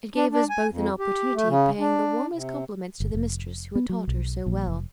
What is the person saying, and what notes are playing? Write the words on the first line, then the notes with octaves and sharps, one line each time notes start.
It gave us both an opportunity of paying the warmest compliments to the mistress who had taught her so well.
D4
D4
G#5
F2
G4
A3
C#3
D4
C3
G1
F1
B3
F#3
B1
A#1
F1